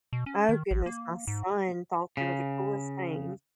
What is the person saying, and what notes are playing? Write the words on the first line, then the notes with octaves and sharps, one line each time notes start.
Oh, goodness, my son thought they were the coolest things.
B2
C#4
D#3
A1
A#3
G#2
C#3